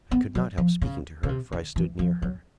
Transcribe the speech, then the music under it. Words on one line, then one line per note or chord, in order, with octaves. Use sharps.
I could not help speaking to her, for I stood near her.
B3
F#3
F3
C#3
C#3
C3
D3
E3
F3
F#3